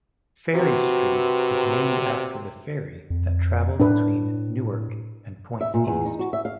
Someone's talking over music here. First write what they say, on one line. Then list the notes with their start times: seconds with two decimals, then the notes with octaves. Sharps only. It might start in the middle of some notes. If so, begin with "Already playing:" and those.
Ferry Street was named after the ferry that traveled between Newark and points east.
0.55 C3 F#4 B4
3.10 F2
3.80 A2 D4 B4
5.61 E5
5.74 A#2
5.87 E2
6.05 D#4
6.19 F#4
6.33 E5
6.45 F5